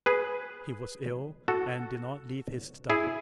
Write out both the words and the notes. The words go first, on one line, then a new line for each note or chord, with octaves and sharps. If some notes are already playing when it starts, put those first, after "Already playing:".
He was ill and did not leave his study.
G#4 B4
F#4 A4
E4 G#4